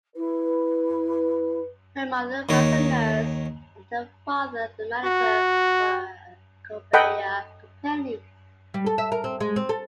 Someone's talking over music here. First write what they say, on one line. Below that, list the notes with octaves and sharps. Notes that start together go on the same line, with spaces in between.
Her mother was a nurse, and her father a manager for a conveyor company.
E4 B4
D#2 D#3 C#5
F#4
A4 D#5 F#5 G5 B5
G3
A4
E5
A#4
C4
G#3
C4
A4